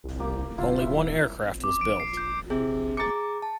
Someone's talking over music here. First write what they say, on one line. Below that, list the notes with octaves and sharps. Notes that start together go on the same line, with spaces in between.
Only one aircraft was built.
C2
A#3 G4
D1 E4 F4 C6
E4 E5
D6
D7
C7
G6
C3 G#4
G#4 A#5 D6 A6 C#7
A5